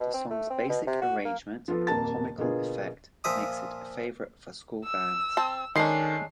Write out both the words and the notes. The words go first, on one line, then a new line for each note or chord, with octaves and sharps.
The song's basic arrangement and comical effect makes it a favourite for school bands.
B2
C4
A3
C4
B2
C3
F#4
A#3
F3 B3 F4 A4
D#1 F2 A#3 A5 A6
B2 D3 A#3 B3 F4 G#4
A#2 F3 E5 D#6
E6
C4 A5
D#3 G#3 C#4 D4 A4 C7